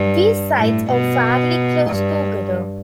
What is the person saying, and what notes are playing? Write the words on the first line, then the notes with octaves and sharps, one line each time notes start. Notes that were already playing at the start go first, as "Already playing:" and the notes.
These sites are fairly close together.
Already playing: G2
A2
B2
G2